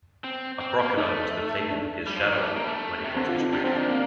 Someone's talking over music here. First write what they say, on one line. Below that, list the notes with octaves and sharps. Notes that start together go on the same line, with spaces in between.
A crocodile must’ve taken his shadow when he crossed the stream.
C4
C4
A#3
A3 D#4
D4
G3
F3
D#3
G3
A3
A#3
G3
A3
C3
D3 C4
F4
D#4
C3 D4
D3 C4
F3
D#3 D4
A#3